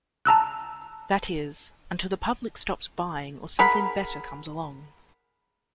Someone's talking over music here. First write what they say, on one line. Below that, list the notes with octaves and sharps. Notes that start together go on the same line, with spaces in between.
That is, until the public stops buying or something better comes along.
A5 A#5 E6 F#6
G#4 A#4 F#5 B5